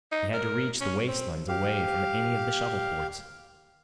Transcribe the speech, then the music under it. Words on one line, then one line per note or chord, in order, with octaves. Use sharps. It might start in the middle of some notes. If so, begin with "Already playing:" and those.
He had to reach the wastelands away from any of the shuttle ports.
D#4
A#4
C#4
C4
G4 F5